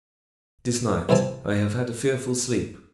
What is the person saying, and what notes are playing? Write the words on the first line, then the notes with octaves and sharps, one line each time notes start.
This night I have had a fearful sleep.
C2 E3 C4 G#5 A5